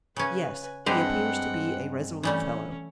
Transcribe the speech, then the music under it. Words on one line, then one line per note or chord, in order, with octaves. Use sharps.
"Yes; he appears to be a resolute fellow."
C#3 C#4 B4 G#5
G2 G#3 C4 C5 F#5 G5
E3 G3 A3 C#4